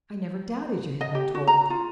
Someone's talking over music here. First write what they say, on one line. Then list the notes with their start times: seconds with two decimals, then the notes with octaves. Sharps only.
I never doubted you had been told.
1.01 D#5
1.15 G4
1.35 F#4
1.47 A#5
1.70 F4